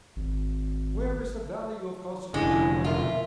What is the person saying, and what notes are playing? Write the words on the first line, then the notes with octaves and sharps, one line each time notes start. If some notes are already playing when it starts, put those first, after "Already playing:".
Where is the value of constitutional liberty?
G#1
F1 A#1 D3 G#3 C#4 E4 G#5
B2 F4 A#4 E5